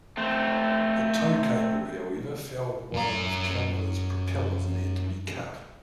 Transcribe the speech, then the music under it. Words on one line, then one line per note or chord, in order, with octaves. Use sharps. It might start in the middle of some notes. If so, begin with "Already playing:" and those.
The tow cable, however, fouled one of "Kelvin"s propellers and had to be cut.
A3 C4
F#2 A#5